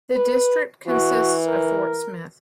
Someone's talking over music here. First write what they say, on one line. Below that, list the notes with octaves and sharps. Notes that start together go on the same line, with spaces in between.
The district consists of Fort Smith.
B4
E3 F#4
A#4